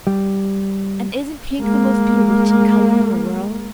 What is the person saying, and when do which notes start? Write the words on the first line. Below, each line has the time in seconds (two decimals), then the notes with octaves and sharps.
And isn't pink the most bewitching color in the world?
0.07 G3
1.61 G#3 A#3